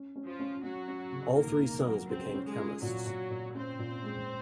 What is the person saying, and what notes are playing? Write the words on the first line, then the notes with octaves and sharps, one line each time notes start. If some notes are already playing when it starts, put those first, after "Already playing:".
All three sons became chemists.
Already playing: C#4
C#4
F3 F4
C#4
F#3 C#4 F#4
C#4
C#3
D#3 A#3 A#4
D#3
F#3
C4 C#4 C5
C#4
G#3 G#4
F4
A#2 F#3 F#4
A#2
A#2
C4 C#4 C5
A#2
G#3